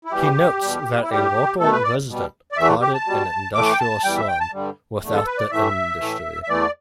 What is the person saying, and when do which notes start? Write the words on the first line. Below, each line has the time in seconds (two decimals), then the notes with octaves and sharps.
He notes that a local resident called it an industrial slum without the industry.
0.05 E4
0.12 E2 E3 G3 G4
0.61 E2 B2 G3
1.02 E4
1.10 A2 G3 G4
1.59 B2 A3 A4
1.72 B4
1.84 D5
2.08 B2 G3
2.52 D5
2.57 E2 E3 A3 E5
2.82 G4
2.94 A5
3.06 B2 G3
3.54 A2 E3 A3 D6
3.72 G5
3.80 A5
4.03 E2 E3 G3 G5
4.17 E5
4.28 G5
4.40 A5
4.53 G2 D3 G3
5.01 E2 D3 A3
5.13 A4
5.26 B4
5.38 D5
5.51 A2 E3 A3 E5
6.00 A2 E3 A3
6.43 E5
6.49 E2 E3 A3 D5